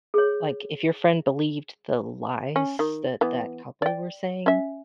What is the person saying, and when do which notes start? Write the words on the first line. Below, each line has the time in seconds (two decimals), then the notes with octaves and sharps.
like, if your friend believed the lies that that couple were saying
0.14 G#4 C#5
2.56 C#4
2.79 D#3
3.21 E3 B3
3.82 D5 G5
4.46 C#4 E5